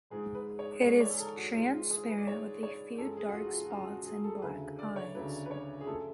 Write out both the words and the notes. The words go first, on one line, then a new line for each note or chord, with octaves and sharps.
It is transparent with a few dark spots and black eyes.
G#2 F3 G#3 G#4
B4
C#5
G#2 F3 G#3 C#5
D5
C#5
G#4
A4
F#4
G#2 G#3 F4
F4
G#4
B4
D5
G#2 G#3 C#5
C#5
F#2 F3 G#3 A4
G#4
F#4
F4
F#4
F4
F#4
F#2 F3 G#3 F4
F#4
G#4
A4
D2 C#3 F#3 A3 B4
D5
C#5
D2 C#3 F#3 A3 B4
B4
C#5
G#4
F#2 F3 A3 A4